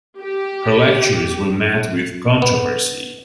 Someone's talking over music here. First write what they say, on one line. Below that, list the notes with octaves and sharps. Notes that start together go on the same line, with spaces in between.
Her lectures were met with controversy.
G4
B3